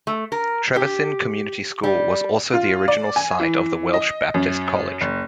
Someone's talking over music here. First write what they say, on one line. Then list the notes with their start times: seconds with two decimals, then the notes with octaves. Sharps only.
Trevethin Community School was also the original site of the Welsh Baptist College.
0.07 A3
0.32 A#4
0.76 G4
1.83 G3
2.54 F4
2.88 D5
3.16 G#5
3.40 E3
3.94 D#5
4.34 F#2
5.01 F#1